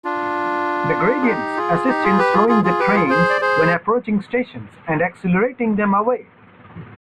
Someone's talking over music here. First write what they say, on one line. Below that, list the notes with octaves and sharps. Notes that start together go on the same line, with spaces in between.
The gradients assist in slowing the trains when approaching stations, and accelerating them away.
D4 F4
G#4
D#4 G4
F4 G#4
D#4 G4
F4 G#4
G4 B4
F4 G#4
F4 G#4
F4 G#4
G4 B4
F4 G#4
G#4 C5
D5
G#4 C5